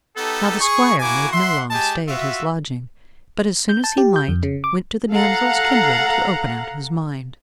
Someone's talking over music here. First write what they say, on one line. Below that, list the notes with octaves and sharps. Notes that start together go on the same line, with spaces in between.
Now the squire made no long stay at his lodging, but as soon as he might, went to the damsel's kindred to open out his mind.
B3 D#4 G4 A4
G#4 C#6
A#3 E4 F#4 G#5 D6
E5 F#5 C6
G#3 G4 G#5 A5
F4 F#4 E5
G6
A5
G4
G6
F2
C#3
D6
A4 F5 F#5 A#5